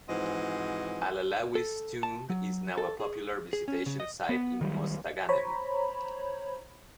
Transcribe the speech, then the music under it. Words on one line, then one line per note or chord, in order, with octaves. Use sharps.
Al-Alawi's tomb is now a popular visitation sight in Mostaganem.
G#2 E3 F3 C4 F#4 D#5
A4
A5
F#3
A4
G#4
G#4
C#4
C#3
D#5
B3
D#3 F#3 G3
C5 C#5 A#5 B5